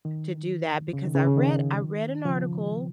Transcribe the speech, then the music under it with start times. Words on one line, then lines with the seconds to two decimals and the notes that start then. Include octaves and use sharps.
to do that, because I read I read an article
0.05 D#3
0.93 C#3
1.04 D#3
1.15 C#3
1.27 C#3
1.37 D#3
2.25 C#3 F3